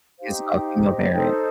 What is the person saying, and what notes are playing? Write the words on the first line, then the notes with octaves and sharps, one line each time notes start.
his, uh, female variant.
D#4 G4 C5 F5
G5
F5
D#5
D#4 A4 C5 G5